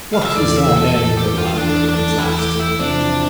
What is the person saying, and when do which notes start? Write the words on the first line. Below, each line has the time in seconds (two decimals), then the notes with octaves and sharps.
"What is thy name, good lad?" the prince asked.
0.14 F5
0.25 E5
0.35 E2 E3 A3 D5
0.56 E5
0.77 A4
0.96 E2 E3 A3 A4
1.17 G4
1.38 F4
1.57 E2 E3 A3 D4
1.88 D4
2.18 E2 E3 A3 E4
2.39 G4
2.59 E4
2.79 E2 C3 F3 C4 D4 E4